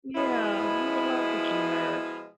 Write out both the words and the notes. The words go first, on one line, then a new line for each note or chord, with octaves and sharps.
Yeah, you would love to see her,
B2 F3 G#3 E4